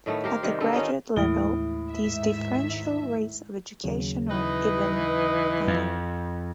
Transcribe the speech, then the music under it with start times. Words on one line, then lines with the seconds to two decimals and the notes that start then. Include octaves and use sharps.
At the graduate level, these differential rates of education are even higher.
0.06 A2 D#3 A3 B3
0.24 G4 A#4 C5 F5
0.43 C3 D#3 G3
0.60 D3 B3 A4
0.73 D#3 C#4 D#4 F4
1.16 D#2 A2 E3 G#3 E4 D#6 D7 G7
1.92 G#2 D#3 E5
3.84 D#2 C#3 F#3
4.30 E3 D#4 B4 D#5
5.67 F2